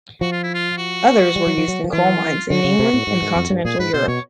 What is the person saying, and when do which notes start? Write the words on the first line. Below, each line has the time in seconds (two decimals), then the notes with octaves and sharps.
Others were used in coal mines in England and continental Europe.
0.21 F3 F#4
0.32 F4
0.43 E4
0.54 F4
0.78 F#4
1.36 G3
1.47 F#3
1.58 F3
1.68 F#3
1.84 F3
1.93 E3 F4
2.50 D3 F#4
2.64 C#3
2.79 C3
2.94 A2
3.07 G#2
3.22 G#2
3.36 F2
3.50 G2
3.65 A#2 G#4
3.79 G#2 B4
3.94 B2 C5
4.08 B2 C#5